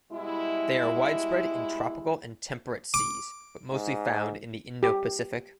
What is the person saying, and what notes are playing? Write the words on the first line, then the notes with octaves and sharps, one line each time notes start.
They are widespread in tropical and temperate seas, but mostly found in the Indo-Pacific.
B2 G3 G#3 E4
D6
G#2
G4